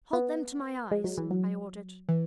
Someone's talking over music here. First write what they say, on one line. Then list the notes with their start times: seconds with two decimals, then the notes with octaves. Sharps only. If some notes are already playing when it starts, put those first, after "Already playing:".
"Hold them to my eyes," I ordered.
0.13 B3
0.91 G#3
1.04 F#3
1.18 E3
1.31 F#3
2.09 E3